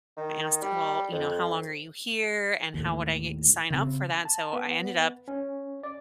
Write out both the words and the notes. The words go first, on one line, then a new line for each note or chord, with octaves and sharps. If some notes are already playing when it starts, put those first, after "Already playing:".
I asked, "Well, you know, how long are you here? And how would I g sign up for that?" So, I ended up
D#3
G3
F2
D#2 A2
C#3 C4
A5
B3
C#4
D5